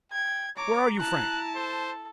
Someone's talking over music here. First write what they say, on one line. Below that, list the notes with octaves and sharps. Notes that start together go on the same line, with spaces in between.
Where are you, Frank?
G5 G#6
C#5 A#5 D6
E4 A5 F#6
A4 C5